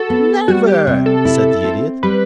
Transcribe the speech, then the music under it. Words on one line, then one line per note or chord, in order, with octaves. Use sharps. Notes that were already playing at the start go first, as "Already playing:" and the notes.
"Never," said the Idiot.
Already playing: F#4 A4
B3
G3 F#4
G4
C3
A4
E4
C4
G3 B4